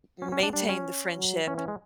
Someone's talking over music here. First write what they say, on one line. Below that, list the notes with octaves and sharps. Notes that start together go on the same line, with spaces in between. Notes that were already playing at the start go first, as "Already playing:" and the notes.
maintain the friendship,
F#3 C#4
C#4
D4
G3 D4
C#4
F#3
E3 C#4
C#4
G#3